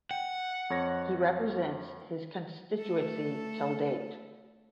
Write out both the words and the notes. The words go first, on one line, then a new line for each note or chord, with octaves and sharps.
He represents his Constituency till date.
F#5 G5
F2 C#5 A#6
A3 A4